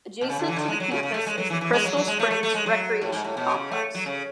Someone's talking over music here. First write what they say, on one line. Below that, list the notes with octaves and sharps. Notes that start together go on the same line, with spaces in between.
Adjacent to the campus is the Crystal Springs recreation complex.
B2
C#3
D3
E3
D3
G#3
F#3
C#3
C#3
A3
G#3
F#3
E3
E3
G#3
F#3
F#3
G#3
A3
A3
A3
G#3
F#3
A2
G#2
A2
B2
C#3
A3
F#3
C#3